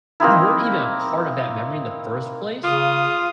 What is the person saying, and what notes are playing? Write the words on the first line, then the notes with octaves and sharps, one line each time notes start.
who weren't even a part of that memory in the first place
A#3 C4 D#4 E4
C#3 F4 D#6